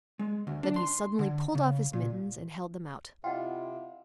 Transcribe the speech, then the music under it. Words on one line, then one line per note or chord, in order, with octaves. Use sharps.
Then he suddenly pulled off his mittens and held them out.
G#3
D2
D4
C6
D3
C#3
A#2
C3 E4 F4 D#5 F#5 G5